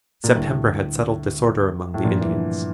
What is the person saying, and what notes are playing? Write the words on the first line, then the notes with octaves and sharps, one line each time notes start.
September had settled disorder among the Indians.
A#2
D2 A2 D3 G3
A2
G2 A#2 F3 A3 D4
E3
D3